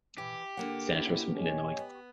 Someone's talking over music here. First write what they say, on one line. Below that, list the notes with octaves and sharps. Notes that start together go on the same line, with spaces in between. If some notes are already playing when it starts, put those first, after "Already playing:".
Senators from Illinois.
E3 G4
D3 A#3 F#5
C#4 D4 E4
C#5 D#5 G#5
B3